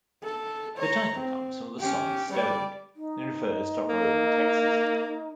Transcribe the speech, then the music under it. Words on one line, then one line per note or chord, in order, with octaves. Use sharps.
The title comes from the song, "Stoned," and refers to Rhome, Texas.
A4
C#5 A#5
C4
C#4 G4
G3 D5
D#4
A#3